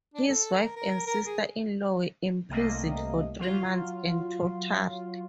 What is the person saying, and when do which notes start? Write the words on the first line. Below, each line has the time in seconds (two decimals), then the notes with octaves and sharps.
His wife and sister-in-law were imprisoned for three months and tortured.
0.14 D4
0.28 A4
0.58 A#4
0.76 A#4
1.07 A#4
1.26 G#4
2.50 C2 C3 A3 A#3 D#5
3.39 F#3 F4